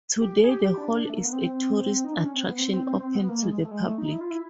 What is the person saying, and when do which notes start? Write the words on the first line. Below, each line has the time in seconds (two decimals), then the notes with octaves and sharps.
Today the hall is a tourist attraction open to the public.
0.21 G4
0.44 G#4
0.50 G4
0.63 G4
0.78 D4
1.10 A3
1.18 A#3
1.25 B3
1.33 C4
2.04 D#4
2.14 D4
2.25 C#4
2.35 C4
2.44 B3
2.59 C4
2.73 C4
2.87 C4
3.00 C4
3.15 B3
3.29 A#3
3.43 G#3
3.65 A3
3.71 G#3
3.84 A3
3.98 D#4
4.12 E4
4.21 F4
4.30 E4